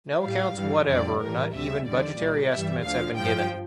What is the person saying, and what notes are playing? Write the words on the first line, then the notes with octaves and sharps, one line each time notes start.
No accounts whatever, not even budgetary estimates have been given.
A2 G3 F5
G2 E3 G3
F2 D3 G3 D5
A2 E3 G3 A#4
D2 C3 G3 E5
E2 D3 G3 D5
C2 A#2 G3
G2 E3 G3 E5
D2 D3 F3 F5
G2 F3 G5